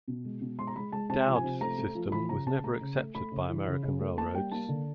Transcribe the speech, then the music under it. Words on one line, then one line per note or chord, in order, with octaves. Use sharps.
Dowd's system was never accepted by American railroads.
B2
G#3
B2
G#3 C6
A#5
G#3 B5
G#3 A5
C3 A5
F3
G#5
C3
A3 A#5
A3
F3
E3 B5
C#3 A#5
C#3 A5
A3 A#5
C#3
A3
A3 B5
C#3
E3
C#3
C#3
A3
A#3 A5
G3 G5
A#3 A5
D3